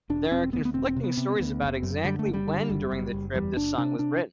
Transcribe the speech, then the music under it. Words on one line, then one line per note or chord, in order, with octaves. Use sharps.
There are conflicting stories about exactly when during the trip this song was written.
E1 D4
E1 C4
D2 B3
B3
E1 C4
C4
C3
B3
C3
D2
F#1
F#2
D3 G3
A3
F#1
G3
D3
F#1
F#1
F#1
E2 G3
F#1 D4
C3 D4
C3 D4